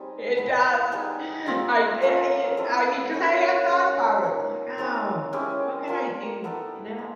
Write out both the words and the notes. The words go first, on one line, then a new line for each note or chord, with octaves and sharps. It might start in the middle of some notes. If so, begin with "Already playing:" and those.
It does. I y y I mean, 'cause I have thought about it, like, "Oh, what can I do?" You know?
Already playing: G3 C4 D#4 G#4
B3 E4 G#4 B4
G3 B3 D#4 G#4
G3 C4 F4
A#3 C#4 F4 A4
G3 C4 E4 A4
A#3 C#4 E4
G#3 C#4 F4 G#4
A#3 D#4 G4
C4 D#4 G#4 C#5
G#3 C#4 E4 G4
D4 F4 A#4
B3 E4 A4 D5
G#3